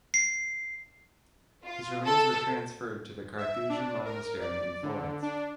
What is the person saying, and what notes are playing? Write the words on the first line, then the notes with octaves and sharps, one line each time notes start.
His remains were transferred to the Carthusian monastery in Florence.
C7
F4
A4
E5
D4
A#4
D5
D3
D4